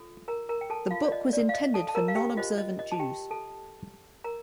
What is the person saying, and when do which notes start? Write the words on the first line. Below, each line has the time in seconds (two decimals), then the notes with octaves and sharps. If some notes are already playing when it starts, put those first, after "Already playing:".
The book was intended for nonobservant Jews.
Already playing: F4 A4
0.28 A#4 A#5
0.49 A#4 A#5
0.61 G5
0.70 A4 A5
0.91 F4 F5
1.05 D5
1.12 D#5
1.33 D5
1.49 F5
1.54 D#5
1.74 A4 A5
1.89 A5
1.95 A#4 A#5
2.08 F5
2.16 G4 G5
2.37 F4 C5 D#5
2.58 D#5
2.79 D#5
2.92 A5
2.99 G4 G5
3.31 A4 A5
4.24 A#4 A#5